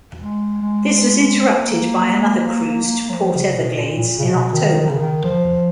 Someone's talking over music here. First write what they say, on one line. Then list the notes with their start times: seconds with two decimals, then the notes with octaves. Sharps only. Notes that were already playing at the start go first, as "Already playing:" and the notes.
This was interrupted by another cruise to Port Everglades in October.
0.20 G#3
0.62 G#3
1.45 A#3
3.10 F#3
3.14 F3
3.35 C#3
3.55 B2
3.77 A#2
3.97 A#2
4.18 C#3
4.25 B2
4.53 D#3
4.81 D#3
4.90 C#3
4.99 D#3
5.24 F3